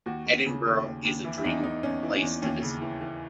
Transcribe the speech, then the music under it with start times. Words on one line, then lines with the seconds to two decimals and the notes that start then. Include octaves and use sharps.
Edinburgh is a dream place to visit.
0.06 D#2 F#4
0.26 D#2
0.46 C#3
0.66 D#2
0.86 D#2
1.04 D#2
1.24 E3 E4
1.38 E4
1.44 E2 D#4
1.63 E2 D#4
1.83 E2 C#4
2.03 E3
2.13 C#4
2.22 E2
2.42 D#2 C#4
2.63 C#3
2.82 E3
3.01 E3